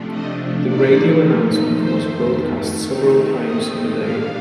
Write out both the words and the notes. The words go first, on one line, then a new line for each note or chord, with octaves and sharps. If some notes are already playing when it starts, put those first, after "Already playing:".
The radio announcement was broadcast several times in a day.
Already playing: C3 F3 A3 D4
D#5
A#2 F3 A3 D#4 D5
F2 D#3 A3 C5
D#3 A3 C4 D#4
D#5
A#2 G3 D4 F5